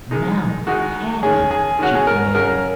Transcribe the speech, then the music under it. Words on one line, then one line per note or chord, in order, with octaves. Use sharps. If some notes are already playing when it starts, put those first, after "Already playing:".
"Now pat him!" she commanded.
D#3 G#3 D#4
D#3 G#3 D#4 F#4
D#3 G#3 C#4 G#4
G#4
D#3 G#3 C#4 F#4
G#4
A#4
C#3 F#3 C#4 A#4